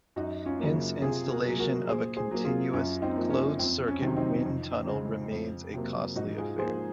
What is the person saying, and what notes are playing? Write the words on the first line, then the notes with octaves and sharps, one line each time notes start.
Hence installation of a continuous, closed circuit wind tunnel remains a costly affair.
F#2 D#4 F#4
C#4 F4
C#3 F#3 A#3
C3 F4 G#4
F#4 A#4
F#3 A#3
F#4 A#4
A#2 G#4 C5
G#4 C5
F#3 A#3
F4 G#4
F#2 C#4 F4
C4 D#4
F3 A#3
C#4
F2 C4
C#4
C3 D#3 F#3
C4 D#4
F2
C#3 G#3
F2
C3 F#3 A#3
G#2 D#4 F#4
F4 G#4
F3 A#3 G#4 C5